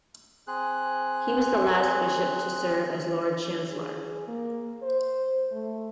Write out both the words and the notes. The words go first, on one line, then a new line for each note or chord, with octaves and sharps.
He was the last bishop to serve as lord chancellor.
C4 G#4 F#6
G#4
A#3
C5
A3